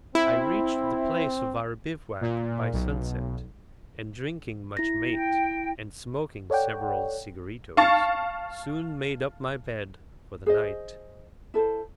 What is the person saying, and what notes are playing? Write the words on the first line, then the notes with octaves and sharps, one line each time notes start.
I reached the place of our bivouac by sunset, and drinking much mate, and smoking several cigaritos, soon made up my bed for the night.
C4 E4
A#2
B1
E4 A#6
G5
A4 C#5 D5 F#5 G5
F5 A5 C#6 A6
G#4 C5 D#5
E4 A4 C5